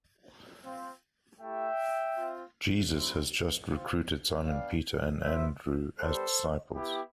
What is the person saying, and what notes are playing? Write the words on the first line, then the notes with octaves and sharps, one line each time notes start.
Jesus has just recruited Simon Peter and Andrew as disciples.
C4 F4
A3 E4 G4 E5 G5
C4 F4
G3 C4 E4
C4 F4
B3 D4 G4 D5 F5
B3 F4 C5 E5
G3 B3 D4 G4 A4 C5
B3 E4 G4